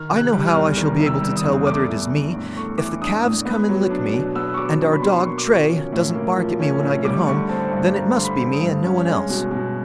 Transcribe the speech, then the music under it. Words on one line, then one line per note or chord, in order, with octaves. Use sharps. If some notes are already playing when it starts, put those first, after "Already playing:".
I know how I shall be able to tell whether it is me; if the calves come and lick me, and our dog Tray doesn't bark at me when I get home, then it must be me, and no one else.'
Already playing: D#3 F6
C3
F#6
G3
F6
E2
D#3
C3
E6
G3
D#6
E2
A3 D6
E3
D4
A2
A3 C#6
E3 D6
D4 D#6
A2
B3
F#3
D4
B2
B3 E6
C#6
F#3 D6
D4 C#6
B5
B2 C6
A#3 C#6
D6
F3 C#6
C#4
A2
A#3
F3
C#4
A2
G3 D6
D3 C#6
C4 A5
G2 A5
G3 A#5
D3 C6
B5
C4
D#6
G2
C#4
G#3
B2
B2